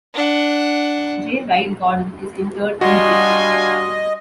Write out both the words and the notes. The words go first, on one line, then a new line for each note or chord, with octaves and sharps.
J. Wright Gordon is interred in Brazil.
D4 F#5
G3 D4 F#4 D#5 F5 G#5 C6